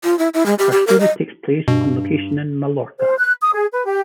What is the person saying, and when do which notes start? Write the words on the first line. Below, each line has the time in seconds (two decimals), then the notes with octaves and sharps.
Her story takes place on location in Mallorca.
0.04 F4
0.19 E4
0.34 E4
0.46 G#3
0.59 G4
0.72 G4
0.87 A#4
1.00 D#5
1.68 G2 B2
2.98 C5
3.18 F#6
3.41 D#6
3.55 G#4
3.72 B4
3.86 G4